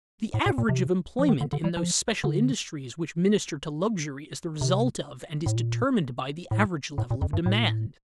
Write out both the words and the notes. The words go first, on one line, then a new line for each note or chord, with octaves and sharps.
The average of employment in those special industries which minister to luxury is the result of and is determined by the average level of demand.
A2
A#2
A#2
C3
F3
D#3
D3
D3
G3
F3
D3
C3
A2
A#2
A2
A2
A#2
F2
G2
A2
A#2
A2